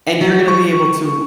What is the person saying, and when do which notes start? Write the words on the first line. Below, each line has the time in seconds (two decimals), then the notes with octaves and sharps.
and you're gonna be able to
0.21 F#3
0.48 C#6